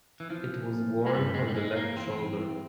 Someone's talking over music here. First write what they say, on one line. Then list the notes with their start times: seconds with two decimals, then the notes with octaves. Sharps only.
It is worn on the left shoulder.
0.20 E3
0.30 F3 E4
0.72 A#3
1.06 G#3
1.14 G2 G3
1.34 G#3
1.48 G3
1.55 G#3 E4
1.76 A#3
1.96 E3 C4
2.39 E4